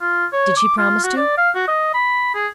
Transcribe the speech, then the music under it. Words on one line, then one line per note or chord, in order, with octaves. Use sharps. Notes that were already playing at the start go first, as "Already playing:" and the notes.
"Did she promise to?"
F4
C#5
D6
F4
F#4
D5
F5
F#4
D#5
B5
G#4